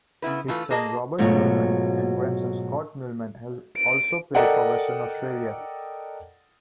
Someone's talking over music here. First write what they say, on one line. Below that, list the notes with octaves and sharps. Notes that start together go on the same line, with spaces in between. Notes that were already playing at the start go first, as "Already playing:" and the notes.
His son Robert Meuleman and grandson Scott Meuleman have also played for Western Australia.
C#3 B3 E4 B4
E3 A3 F4 B4
A#3 G#4 D#5 A5
G#2 B2 F#3 A3 F4
D7
A4 A#4 D5 D#5 F#5 G5